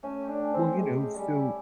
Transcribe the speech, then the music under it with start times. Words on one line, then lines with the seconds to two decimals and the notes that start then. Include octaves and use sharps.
well, you know, so
0.03 A3 C#4
0.21 G4
0.28 D4
0.41 C#4
0.53 C4
0.59 E4
0.77 G#3 A3
0.96 G4
1.15 G3 C#4
1.34 E4